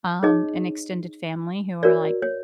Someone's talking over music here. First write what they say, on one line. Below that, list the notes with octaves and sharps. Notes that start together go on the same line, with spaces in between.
um, an extended family who are like,
D#4 G#4 C#5 D#5
F#4 A#4 C#5 D5
C#5